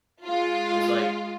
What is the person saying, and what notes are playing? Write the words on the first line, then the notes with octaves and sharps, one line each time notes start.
it was, like
G#3 F4